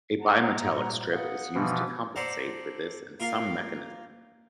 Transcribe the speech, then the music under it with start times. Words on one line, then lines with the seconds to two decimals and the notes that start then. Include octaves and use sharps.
A bimetallic strip is used to compensate for this in some mechanisms.
0.19 F#5 A5 A#5
0.64 A#2 G3
1.12 B4 F5 F#5 D#6
1.55 B2 E3 F3 B3
2.16 A4 C5 D5 F#5 A#5
3.20 A#3 F4 A#4 F5